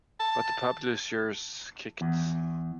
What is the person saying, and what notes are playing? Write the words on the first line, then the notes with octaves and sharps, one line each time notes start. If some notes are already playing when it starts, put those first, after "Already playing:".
But the publishers kicked.
A5
E2